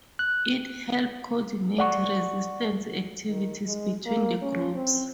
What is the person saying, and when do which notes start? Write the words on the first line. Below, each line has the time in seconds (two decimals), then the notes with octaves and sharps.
It help coordinate resistance activities between the groups.
0.19 F#6
1.78 D5 F#5 C#6
3.28 D#3
3.66 G#3
4.06 A#3
4.42 C#4
4.75 C4